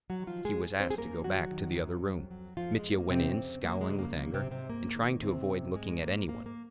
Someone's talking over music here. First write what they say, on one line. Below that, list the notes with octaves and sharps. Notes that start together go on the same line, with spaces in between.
He was asked to go back to the "other room." Mitya went in, scowling with anger, and trying to avoid looking at any one.
F#3 F#4
D#3
F3 F4
F#2 G#3 G#4
F#3
C4 C5
G#4
F#2 A#3 A#4
D#3 F#3 F#4
D#3
F#2
F2
F#3
F2 F3 F4
G#3
F2
A#3
F2 C3 C4
C#3
F#3 A#3
G#3
C#3
A#3
F#3 A#3
C3 C4
G#2
C3 C4
G#2 A#3
D#3
G#2 C3 C4
G#2
G#2 G#3
G#2 A#3
G#2 A#3
A#3